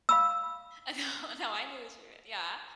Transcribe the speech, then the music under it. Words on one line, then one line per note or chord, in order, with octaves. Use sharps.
Uh, no, no, I knew what you meant Yeah,
F5 B5 E6